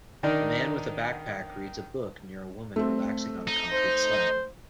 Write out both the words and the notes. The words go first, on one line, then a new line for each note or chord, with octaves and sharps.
A man with a backpack reads a book near a woman relaxing on a concrete slab.
D#3 D4 D#4 A#4
A3 C4
D#4
C5